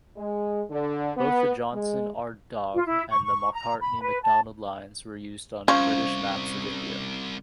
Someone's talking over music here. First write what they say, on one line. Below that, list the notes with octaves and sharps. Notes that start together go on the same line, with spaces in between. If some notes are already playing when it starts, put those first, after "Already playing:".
Both the Johnson-Ardagh and the Macartney-MacDonald lines were used on British maps of India.
G#3
D3
B3
G#3
F4
E4
C#6
C#6
A#5
B5
B4
A5
C2 F3 C#4 C#6